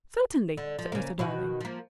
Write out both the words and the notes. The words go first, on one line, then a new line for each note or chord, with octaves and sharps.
"Certainly," said Mr. Darling.
D3
F3
C#3 A#3
B2 D#3 F#4
F3 A#3